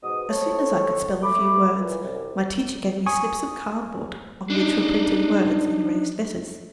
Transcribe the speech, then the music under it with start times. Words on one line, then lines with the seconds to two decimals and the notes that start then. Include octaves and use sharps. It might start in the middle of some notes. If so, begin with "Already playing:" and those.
As soon as I could spell a few words my teacher gave me slips of cardboard on which were printed words in raised letters.
0.03 G#2 B2 D#6
0.29 C4 A4 C#5
1.23 A3 B5 D6
1.79 A#2 E3
2.04 C2 F#2
3.06 G#5 C#6 D#6
4.50 D4 D#4